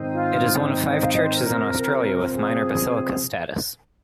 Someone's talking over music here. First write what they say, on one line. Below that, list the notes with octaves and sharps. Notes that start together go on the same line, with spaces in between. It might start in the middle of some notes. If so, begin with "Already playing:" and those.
It is one of five churches in Australia with minor basilica status.
Already playing: G#2 D#3 C4 D#4
F4
G#4
C5
D#5
F5
D#5
C5
A#4
C3 F3 C4
G#4